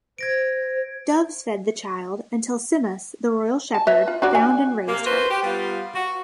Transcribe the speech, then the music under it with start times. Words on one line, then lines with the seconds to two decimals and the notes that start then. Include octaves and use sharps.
Doves fed the child until Simmas, the royal shepherd, found and raised her.
0.18 C5 G#6 A#6 D7
3.74 A5
3.87 B4 D#5 E5
4.08 F4
4.22 D4 F#4 D5
4.35 G#5
4.87 C3 A#3
5.04 F#4 B4 C5
5.29 G4
5.42 G3 B3 F4
5.94 F#4